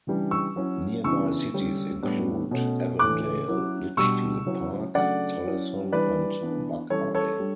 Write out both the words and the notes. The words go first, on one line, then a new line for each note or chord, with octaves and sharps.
Nearby cities include Avondale, Litchfield Park, Tolleson and Buckeye.
C#3 E3 G3 D4
C#6 E6
F#3 C#4 E4
C#3 E3 B3 D4 C#6 E6
D3 G3 C#4
A2 G3 B3 D4
B2 A3 C#4
A2 E3 A3 D4 D6 F#6
F#3 C#4 E4
B2 G3 D4 C#6 E6
C#3 F#3 C#4 E4
C#3 F#3 A3 D4 D5 F#5
F#3 C#4 E4
E3 G3 D4 B4 D5
E3 B3 D4
E3 G3 C#4 E4 A4 C#5
A4 C#5
G3 D4